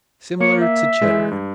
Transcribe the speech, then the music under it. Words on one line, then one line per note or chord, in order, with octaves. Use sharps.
Similar to Cheddar.
A#3 C#5
E5
E3 G#3
G2